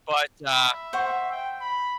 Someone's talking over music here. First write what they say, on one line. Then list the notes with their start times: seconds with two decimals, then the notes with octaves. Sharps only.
But, uh
0.52 E5 B5
0.93 C5 F#5 C#6
1.31 G5
1.62 B5